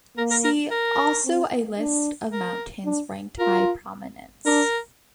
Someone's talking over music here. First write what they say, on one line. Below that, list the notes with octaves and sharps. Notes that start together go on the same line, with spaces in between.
See also a list of mountains ranked by prominence.
A#3 A#4
A#4
A#4
A#4
C4
D4
A#4
D4
F4 A#4
D4 A#4